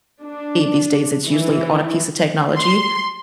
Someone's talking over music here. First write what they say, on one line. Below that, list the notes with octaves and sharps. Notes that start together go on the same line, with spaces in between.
these days, it's usually on a piece of technology,
D4
E3
C6